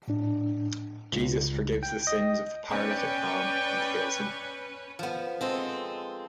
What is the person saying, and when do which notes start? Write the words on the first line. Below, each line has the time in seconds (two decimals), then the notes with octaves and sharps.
Jesus forgives the sins of the paralytic man, and heals him.
0.08 A2 D4
1.13 C#2
1.83 G5
2.07 D#5
2.70 C#4 B4 D5 G5
4.99 F3 B3
5.41 G#3 C4 A4